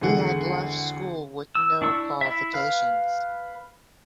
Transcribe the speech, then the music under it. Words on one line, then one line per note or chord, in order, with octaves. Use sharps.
He had left school with no qualifications.
G#1 E2 D3 G#4 F#5
E6
D4 E4 C#6 E6
E4 E5
B4 F5